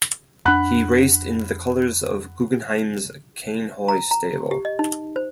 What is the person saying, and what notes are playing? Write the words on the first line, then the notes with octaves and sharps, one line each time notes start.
He raced in the colors of Guggenheim's Cain Hoy Stable.
F2 D4 F#5 B5 F#6
A#5
A#5
G4
D#5
D#4
C5